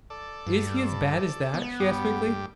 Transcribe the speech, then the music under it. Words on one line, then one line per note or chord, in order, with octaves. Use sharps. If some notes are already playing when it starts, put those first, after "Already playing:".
"Is he as bad as that?" she asked quickly.
A4 D5
G2
B3
G2 G4